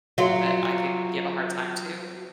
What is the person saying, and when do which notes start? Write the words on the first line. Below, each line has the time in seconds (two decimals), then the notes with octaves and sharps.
that I could give a hard time to
0.18 F#3 F4